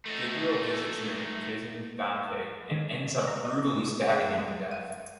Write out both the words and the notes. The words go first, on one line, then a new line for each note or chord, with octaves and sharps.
Gabriel visits an imprisoned Dante and ends up brutally stabbing him to death.
A3 D#4
D#3
A#5
D#5
A#2
G#4
G#3
D#7